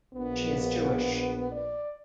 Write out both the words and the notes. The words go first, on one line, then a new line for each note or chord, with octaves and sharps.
She is Jewish.
A#1 B3
D5